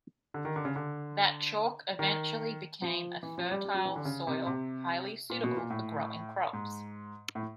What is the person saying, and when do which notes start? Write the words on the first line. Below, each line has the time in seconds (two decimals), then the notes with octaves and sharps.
That chalk eventually became a fertile soil highly suitable for growing crops.
0.34 D3
0.45 D#3
0.56 D3
0.65 C#3
0.76 D3
1.99 D#3
2.82 F3
3.23 E3
3.38 F3
3.51 G3
3.65 G3
3.74 F#3
3.85 E3
3.96 D3
4.05 C#3
4.27 C3
4.46 C3
5.30 A#2
5.44 B2
5.57 A#2
5.70 A2
6.53 G#2
7.35 A2